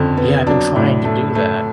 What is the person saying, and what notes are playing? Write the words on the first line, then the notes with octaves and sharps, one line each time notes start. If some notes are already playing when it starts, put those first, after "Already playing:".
Yeah, I've been trying to do that.
Already playing: F2 D3 C#4
B3
F#3 D4
A2
A3
A3